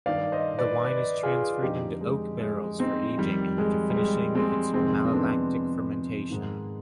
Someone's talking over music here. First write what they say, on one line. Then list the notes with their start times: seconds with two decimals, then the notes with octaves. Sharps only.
The wine is transferred into oak barrels for aging after finishing its malolactic fermentation.
0.06 G2 D#3 D5 F5
0.32 C5 D#5
0.59 B4 D5
0.85 B4 D5
1.23 F4 G#4
1.62 F2 D3 D#4 G4
2.01 G#3
2.41 G#3
2.79 C4 D#4
3.18 F2 D#3 G3
3.58 G#3
3.90 G3
3.96 G#3
4.35 G#3 C4
4.74 F2 C3 D#3 G#3 C4
5.05 C4
5.13 B3 D4
6.30 G#2 D#3